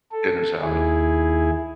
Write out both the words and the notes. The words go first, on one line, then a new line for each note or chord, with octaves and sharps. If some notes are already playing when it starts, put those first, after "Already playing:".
dinners out of.
A4
D#2 E4 G#4